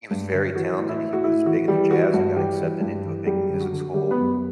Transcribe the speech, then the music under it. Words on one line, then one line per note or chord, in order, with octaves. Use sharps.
he was very talented, he was big into jazz, he got accepted into a big music school,
G2
D3
E3 F#4
A2
E4
A2
F#4
A2 E4
E3 F#4
E3 G3 G4
E3 F#4
E4
G2 F#4
E3 G3 G4
E3
G2
E3
F#2 G3 G4
D3
F#4
D3
D3 G3 G4
B3 B4
F#2